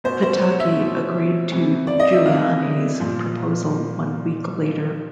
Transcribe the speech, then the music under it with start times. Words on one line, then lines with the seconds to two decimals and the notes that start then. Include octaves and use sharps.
Pataki agreed to Giuliani's proposal one week later.
0.04 B2 C5
0.23 C5
0.41 C#5
0.60 E5
0.78 B2
1.52 C3 E3
1.87 D5
2.00 D#5
2.12 E5
2.26 C3 E3 F5
3.00 A#2 F3